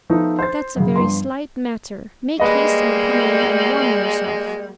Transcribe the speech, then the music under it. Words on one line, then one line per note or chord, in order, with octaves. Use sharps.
"That's a very slight matter: make haste and come in and warm yourself."
F3 A3 B3 D#4
C5 A6
F#2 C#3
G2 F3 B3 C6
G3 G#3 A#3 B4 D#5